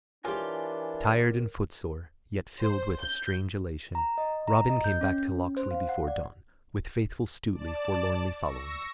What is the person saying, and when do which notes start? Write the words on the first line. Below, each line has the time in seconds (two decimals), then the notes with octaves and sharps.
Tired and footsore, yet filled with a strange elation, Robin came back to Locksley before dawn, with faithful Stuteley forlornly following him.
0.25 E3 D4 F4 G4 A#4 C#5 G#5
2.59 C5
2.99 G6
3.95 A#5
4.18 D#5
4.47 A#5
4.70 D#5
4.84 G6
5.01 C#4
5.28 C#4
5.57 C5
5.71 F5
5.89 F#5
6.08 D5
7.53 D5 A5
8.40 C#6 E6 A#6